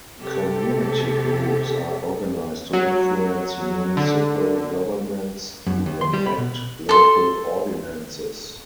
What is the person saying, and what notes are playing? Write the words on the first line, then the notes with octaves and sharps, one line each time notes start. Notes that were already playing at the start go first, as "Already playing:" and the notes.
Community groups are organized to influence municipal governments to enact local ordinances.
C3 G4 A4
F#3
D3
F#2
D#2
C6
G3
B5
B2
A4 C6